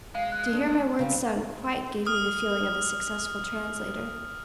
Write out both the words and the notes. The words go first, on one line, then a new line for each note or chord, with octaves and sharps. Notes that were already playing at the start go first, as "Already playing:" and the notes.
To hear my words sung quite gave me the feeling of a successful translator.
G#3 F5 C7
F#6
D4
C#3 G3
D#6 F6